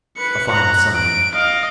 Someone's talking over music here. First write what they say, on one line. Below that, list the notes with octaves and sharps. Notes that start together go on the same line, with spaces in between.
A final sign.
B4 C#7
F#5 A#5
D7
D#5 F5